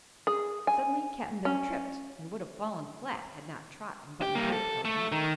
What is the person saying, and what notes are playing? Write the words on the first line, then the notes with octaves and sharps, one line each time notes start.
Suddenly Cap'n Bill tripped and would have fallen flat had not Trot and Button-Bright held him up.
G#4
G#5
C#4
G4
G3 A#3
A4
A3
D#3